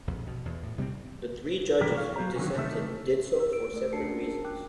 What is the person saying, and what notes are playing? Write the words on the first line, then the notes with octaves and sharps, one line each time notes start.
The three judges who dissented did so for separate reasons.
A#1 F2
B2
E2
A2
C3 G3 A3 C4
B1 G2 E3 G4 A#4 B4
C#5 F5
F#3 C5 A#5
D3 D#3 F3 F#3 C4 C#4
C3 D#3 A3 E5
E6
E6 D7
A3 D5
D4 F#4 A#4 A5 C7 C#7
C#4 G#4 A#4
G5 D6 F#6